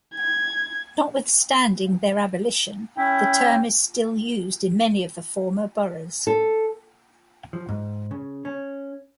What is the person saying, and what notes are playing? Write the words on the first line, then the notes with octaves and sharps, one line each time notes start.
Notwithstanding their abolition, the term is still used in many of the former burghs.
G#6
C#4 E4 G5
A4
F3
G#2
C#3
C#4